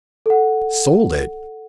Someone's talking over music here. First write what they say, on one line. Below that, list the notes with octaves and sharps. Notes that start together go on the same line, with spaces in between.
Sold it!
A4 F#5